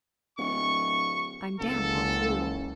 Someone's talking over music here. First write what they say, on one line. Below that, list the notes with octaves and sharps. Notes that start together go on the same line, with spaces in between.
I'm damp all through.
D1 C#6
F#1 C#2 A4